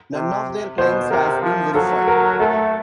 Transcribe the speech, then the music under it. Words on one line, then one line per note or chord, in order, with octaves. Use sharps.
None of their claims has been verified.
C3
B2 C5
C3 A#4
F3
F#3 A4
A#4
A3 A4